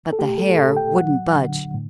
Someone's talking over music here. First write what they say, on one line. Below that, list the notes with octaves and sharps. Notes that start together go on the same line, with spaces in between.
But the hair wouldn't budge.
A4
A3 G4
A4
A#2 A4
G5
F#3 F#5
D3
A2